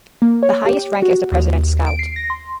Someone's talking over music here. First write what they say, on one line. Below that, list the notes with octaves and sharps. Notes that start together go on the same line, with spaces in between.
The highest rank is the President's Scout.
A#3
C#5
G4
F#4
D#2
D7
C7
A#6
C6